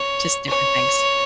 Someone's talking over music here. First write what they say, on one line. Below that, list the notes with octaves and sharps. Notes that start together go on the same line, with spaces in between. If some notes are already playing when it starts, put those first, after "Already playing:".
just different things.
Already playing: C#5
C#5